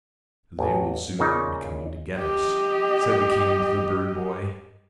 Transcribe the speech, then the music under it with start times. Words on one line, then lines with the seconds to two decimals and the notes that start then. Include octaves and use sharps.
"They will soon be coming to get us," said the King to the bird-boy.
0.59 A1
1.19 A#2 C#3 D#4
2.18 G4 D#5